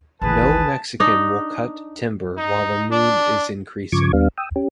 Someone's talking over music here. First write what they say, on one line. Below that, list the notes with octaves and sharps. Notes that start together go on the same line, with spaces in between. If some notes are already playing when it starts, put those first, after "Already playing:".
No Mexican will cut timber while the moon is increasing.
G#1 D2 E3 G#4 B4 A5
D4 D#4
D#4
D4
G2 C#3 F3 C#6 D6 G#6
D#2 G3 B3 D4 F5
G5 D#6 E6
C#4 G4